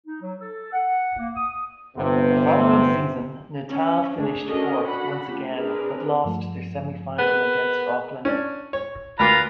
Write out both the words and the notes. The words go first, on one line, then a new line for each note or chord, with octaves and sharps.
The following season Natal finished fourth once again, but lost their semi-final against Auckland.
D#4
F#3
A4
F#5
A#3
D#6
G1 C3 B3 C4
C#4
A3 D4 G#4
C#4 D4 F#4 A4 A#4 D#5
D4 F#4 F#5 B5
A3 C#4 F4 G4
C4 D4 G#4 A#4 B4
G2 F3 A3
B3 G#4 A#4
C#4 D4
C#5
D2 F4 A#4 B4 A#5 D6